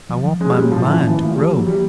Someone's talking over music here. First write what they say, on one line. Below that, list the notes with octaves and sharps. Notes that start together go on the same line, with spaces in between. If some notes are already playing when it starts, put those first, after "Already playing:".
I want my mind to grow.
F3
F3
G#3 C#4
G3
A#3
F#3
A2 F3
E3
C#4
F3
D#3 E3
E3
A3
F3
F3 G3
F#3 A#3
E3 G3